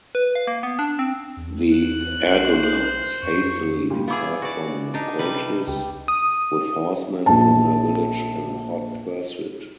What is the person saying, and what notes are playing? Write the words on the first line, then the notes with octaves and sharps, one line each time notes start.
The Argonauts hastily depart from Colchis, with horsemen from her village in hot pursuit.
B4
F5
A#3
B3
D4
C4
E2
F#6
B1 C5
F2 C#6
A#2 G3
B3 E4 G#4 F5 B5 D6
F#4 D5
D4 D#4
C3 G3 B4
C#2 G4
D#6
A#1 A5